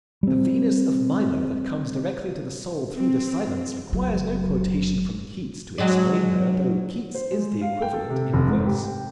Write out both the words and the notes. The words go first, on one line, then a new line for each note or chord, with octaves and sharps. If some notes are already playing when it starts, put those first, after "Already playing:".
The Venus of Milo, that comes directly to the soul through the silence, requires no quotation from Keats to explain her, though Keats is the equivalent in verse.
G3 C4
C4
F#1 F#3
F#3 G#3 D4
C5
G#3
F5
G5
A4
C3
F1
G#2
G4
G5